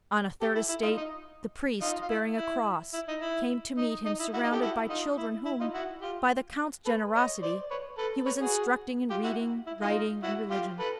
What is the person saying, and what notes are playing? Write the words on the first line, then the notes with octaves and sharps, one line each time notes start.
On a third estate the priest, bearing a cross, came to meet him surrounded by children whom, by the count's generosity, he was instructing in reading, writing, and religion.
G4 A4
E4
E4
D#4 F4
D#4
D#4 F4
F4
E4
E4
E4
D#4
E4
D#4
D#4
E4
E4 F#4
D#4
G4 A4
E4 F#4
D#4 F4
E4
E4
D#4 F4
E4 F#4
F4 G4
A4 B4
C#5 D#5
C5 D5
B4 C#5
A4 B4
B4 C#5
F#4 G#4
F4 G4
E4 F#4
E4
D#4 F4
E4 F#4
F4 G4
A4 B4